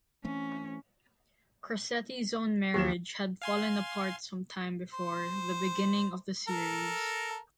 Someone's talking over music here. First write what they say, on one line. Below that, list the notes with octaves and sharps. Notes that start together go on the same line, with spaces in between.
Crosetti's own marriage had fallen apart sometime before the beginning of the series.
E3 A3 C4 C#4
D#2 F3 G4 E7
F5 G#5 C6
C5
A4 A#4